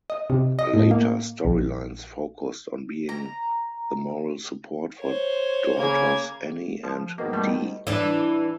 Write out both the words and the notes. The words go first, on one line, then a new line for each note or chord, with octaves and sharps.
Later storylines focused on being the moral support for daughters Annie and Dee.
D#5
C3
D#5
A2
A#3
A#1
A#5
C5 C#5
C#3 A#3 G#6
F3
G#2 B2 D#3 A#3
G3 A3
E3 D4